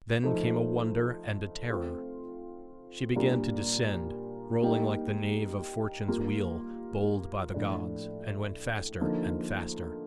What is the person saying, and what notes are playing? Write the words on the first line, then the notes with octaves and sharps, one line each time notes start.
Then came a wonder and a terror: she began to descend rolling like the nave of Fortune's wheel bowled by the gods, and went faster and faster.
F3 A3 D#4
A3 C4 F4
A#2 G3 D4 F4 A#4
G3 A#3 D#4 G4
G3 A#3 F4
A2 F3 A3 D4
D3 F3 A#3 D#4